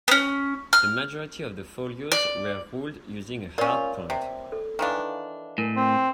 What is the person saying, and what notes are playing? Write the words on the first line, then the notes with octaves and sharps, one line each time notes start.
The majority of the folios were ruled using a hard point.
B3 C#4
F6
D5
C#4 F4 A#4 C#5 D5
C3
A4
D#3 E3 D4 B4 F5 G#5
A2 A#4 G#5
C4